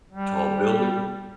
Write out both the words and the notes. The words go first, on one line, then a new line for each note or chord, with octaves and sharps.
Tall building.
G3